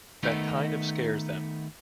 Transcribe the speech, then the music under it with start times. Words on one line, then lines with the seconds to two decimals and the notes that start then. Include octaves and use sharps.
That kind scares them.
0.23 D#3 A3 B3 D#4